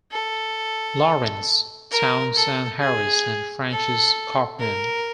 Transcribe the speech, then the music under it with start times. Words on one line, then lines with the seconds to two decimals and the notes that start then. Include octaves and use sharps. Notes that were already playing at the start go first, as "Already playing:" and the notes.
Lawrence, Townsend Harris, and Francis Cochran.
0.12 A4
1.91 A#4
2.35 A4
2.80 G#4
3.70 A4
4.59 A#4